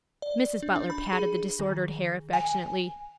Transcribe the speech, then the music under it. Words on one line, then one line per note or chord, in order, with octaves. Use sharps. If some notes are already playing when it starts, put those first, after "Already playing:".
Mrs. Butler patted the disordered hair affectionately.
D5
D4
D4
B5
G#4
D#3
G#5